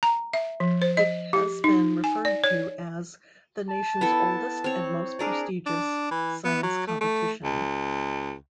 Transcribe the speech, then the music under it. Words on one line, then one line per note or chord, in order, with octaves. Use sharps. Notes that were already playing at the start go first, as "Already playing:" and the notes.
It has been referred to as "the nation's oldest and most prestigious" science competition.
A#5
E5
F3
C5
D#5
G4
D#4
G#5
D5
C#5
A5
B3 E4 A4
C4 C#5
D4 G#4 A#4 D5
D4
E3
B3
F#3
A3
A3
C#2